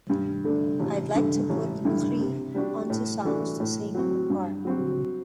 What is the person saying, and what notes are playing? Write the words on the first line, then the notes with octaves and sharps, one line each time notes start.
I'd like to put qriii onto songs to sing in the car.
G2
D3 A3 D4
A1
G2 D3 A3
A1
G2 D3 A3 E4
C3
G3 D4 F#4
A2
E3 A3 D4 F#4
A2
F#3 C4 F#4
G2
F#3 C4 F#4